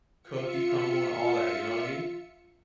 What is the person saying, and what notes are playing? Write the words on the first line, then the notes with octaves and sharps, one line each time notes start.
cookie crumble and all that, you know what I mean?
F4 E5 C#7